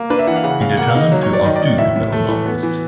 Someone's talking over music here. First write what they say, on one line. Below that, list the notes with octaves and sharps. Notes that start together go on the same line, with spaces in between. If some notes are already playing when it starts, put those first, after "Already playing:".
He determined to outdo the fellow novelist.
Already playing: A#3
D4 B4
E5
E3 F#5
F5
C#3 F#5
C#3 F5
A#3 F#5
F5
D#4
D#5
F#3
C#5
F#3 D5
D#3 D#5
D5
D#3 D#5
A2 E5
A2
A3
E3
B3
E3